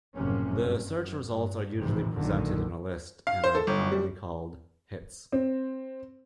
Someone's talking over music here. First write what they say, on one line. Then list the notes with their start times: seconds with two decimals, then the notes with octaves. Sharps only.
The search results are usually presented in a list and are commonly called "hits".
0.16 F#1 A2 C3 F3 A#3 C#4
0.60 G2
0.97 F#2
1.32 G2
1.77 A#1 F2 A2 C3 D#3 E3
2.14 B1 F#2 A#2 D3 D#3 F#3
3.27 F5
3.44 C5
3.55 A4
3.67 G1
3.92 G3
5.32 C4